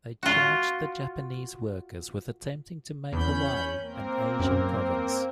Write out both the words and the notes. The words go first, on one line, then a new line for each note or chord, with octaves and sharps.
They charged the Japanese workers with attempting to make Hawaii an Asian province.
F4 F#4
E2 C#4 B5 G6
A#3 C4 A#4
F#2